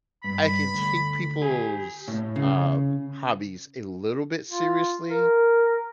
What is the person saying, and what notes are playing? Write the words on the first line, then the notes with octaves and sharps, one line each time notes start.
I can take people's, uh, hobbies a little bit seriously
G2 B5
D2
G4 G#5
A2
C#3
F4
A#4